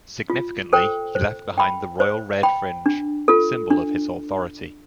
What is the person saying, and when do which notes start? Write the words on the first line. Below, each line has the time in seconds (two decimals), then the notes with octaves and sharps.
Significantly, he left behind the royal red fringe, symbol of his authority.
0.30 F4
0.73 A4 C5 G5
1.15 C5
1.58 G5 B5
2.00 C5
2.43 G5 B5
2.86 D4
3.28 F4 A4
3.70 D4